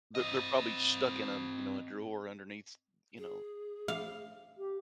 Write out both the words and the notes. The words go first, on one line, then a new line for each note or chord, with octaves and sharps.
They're they're probably stuck in, um, you know, a drawer underneath s you know,
C4 D#5
G#4
F5
G4